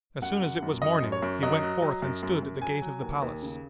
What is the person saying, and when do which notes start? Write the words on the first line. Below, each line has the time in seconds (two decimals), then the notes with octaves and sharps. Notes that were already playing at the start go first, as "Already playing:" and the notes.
As soon as it was morning, he went forth and stood at the gate of the palace.
0.22 F#2 F#5
0.42 F#2
0.62 F#2
0.82 F#2 D#5
1.02 F#2
1.12 C#5
1.22 F#2
1.43 F#3 D#5
1.63 F#3
1.82 F#3
2.02 F#2
2.23 F#2
2.43 F#2
2.62 F#3 G#5
2.82 F#3
3.02 D#2
3.22 D#2
3.43 C#3